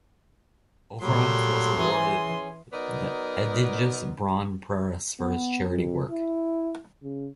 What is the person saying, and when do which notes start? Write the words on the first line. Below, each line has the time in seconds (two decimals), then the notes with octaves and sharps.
Overath was awarded the Egidius-Braun-Preis for his charity work.
1.01 A#2 F#3 G3 A3 C6
1.76 E3 C#4 G#4
2.73 F#3 B3 D#4 A#4 D5
5.19 B3
5.69 F2
6.11 E4
7.03 C#3